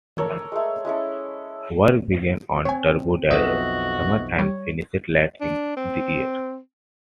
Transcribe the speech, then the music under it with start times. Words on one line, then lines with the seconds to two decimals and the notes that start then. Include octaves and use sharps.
Work began on "Turbo" that summer and finished late in the year.
0.18 A4 A#4 C#5 D5
0.52 G#3 A3
0.85 G#3 C#4 E4 A4
2.65 C4 C#5 G#5
3.30 B1 F2 B3 F#4 D#5 E5
4.39 G3 C#5
5.41 D4
5.77 C4